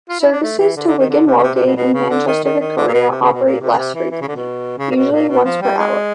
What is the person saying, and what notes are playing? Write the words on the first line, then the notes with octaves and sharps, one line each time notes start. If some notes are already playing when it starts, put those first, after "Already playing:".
Services to Wigan Wallgate and Manchester Victoria operate less frequently, usually once per hour.
F4
E4
D4
A3
E3
D3
D3
D#3
D3
C3
C#3
C3
C3
B2
B2
C#3
D3
D#3
D#3
D#3
D3
A#2
B2
C3
C#3
B2
A#2
C3
C#3
C3
E3
E3
C#3
D3
B2
C#3
A#2
B2
A#2
B2
F3
G3
G#3